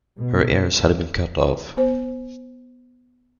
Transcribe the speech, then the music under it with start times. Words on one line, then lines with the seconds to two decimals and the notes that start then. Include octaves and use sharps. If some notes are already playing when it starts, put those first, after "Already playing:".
Her ears had been cut off.
0.19 B2
1.77 B3 C5